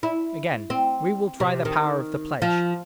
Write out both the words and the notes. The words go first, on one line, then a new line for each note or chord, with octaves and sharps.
Again: we will try the power of the pledge.
E4
C4
C3
D#3
F3